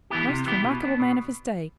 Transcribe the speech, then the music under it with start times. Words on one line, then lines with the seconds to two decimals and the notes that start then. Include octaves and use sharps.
Most remarkable man of his day.
0.10 E3 B3 E4 G4
0.29 C3
0.46 E3 B3 E4 G4
0.64 B2
0.82 B3 D4
1.00 B2